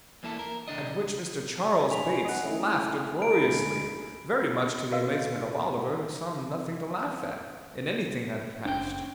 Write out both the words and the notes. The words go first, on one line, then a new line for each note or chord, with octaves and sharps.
At which Mr. Charles Bates laughed uproariously; very much to the amazement of Oliver, who saw nothing to laugh at, in anything that had passed.
E2 A#3 E4 A4
A#4
B1 F#2 D3 D4 D#5
D4 G#5 B5 F7
D#5 F#5
A3 C#4 E4
B5 D7
D2 D3 G#3
F#4 A#4 B4 D#5 F5
F#1 C#4 D4 C5 G5